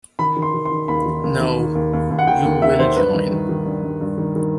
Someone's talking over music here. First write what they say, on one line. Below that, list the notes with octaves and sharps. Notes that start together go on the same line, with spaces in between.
No, you will join.
D#3 B5
D#3
C6
D#3
C6
D#3
D#2 B5
D#3
D#2
D#3
D#3
D#2
D#2
D#2
F#5
D#3 G5
D#2
D#3 E5
D#3 C5
G2 B4
D#3
D#3
D#3
G2
G2
G2
D#3
D#3